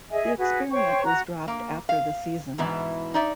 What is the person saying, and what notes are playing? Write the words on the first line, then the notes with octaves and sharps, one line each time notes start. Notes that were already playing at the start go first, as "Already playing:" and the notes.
The experiment was dropped after the season.
G#4 D#5 E5 G#5
F#4 G#4 B4
C5 C#5 G5 C#6
F#4 A#5
A#3
F5
G#2 B2 E3 E4
D#4 D5 E5